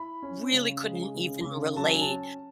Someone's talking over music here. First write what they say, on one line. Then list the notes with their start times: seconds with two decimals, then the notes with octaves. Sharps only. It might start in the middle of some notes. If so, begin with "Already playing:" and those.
really couldn't even relate.
Already playing: E4 B5
0.23 C#4
0.53 C#3
0.83 G#3
1.15 C#3
1.45 C#3
1.77 F#3 A5
1.89 G#5
2.01 A5
2.08 C#4